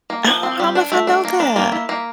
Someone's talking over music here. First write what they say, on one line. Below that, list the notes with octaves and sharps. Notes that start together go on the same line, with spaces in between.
Oh, I don't know if I know that.
A#3
F3
C4
G3
D4
A3
D4
A#3
D4
A#3
E4
A#3